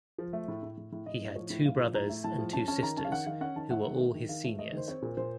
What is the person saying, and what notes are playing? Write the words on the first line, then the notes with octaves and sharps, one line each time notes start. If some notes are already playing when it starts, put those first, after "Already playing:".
He had two brothers and two sisters who were all his seniors.
F3
A3
A2
A2
A2
A2
A2 D#5
A2 D#5
F3 C#5
A2
A2 F5
F3
A2 A#5
A3
A2 A5
F3
C#4 A5
C#4 A5
D#3 A#5
C#4 A5
F5
D#3 F#5
D#3 F5
C#4 F#5
D#3 A5
A3 F#5
D#3
A3
D#3
D#3 F5
A3
A3 D#5
D#3 C5
C4 C#5
A#2
A#2 C5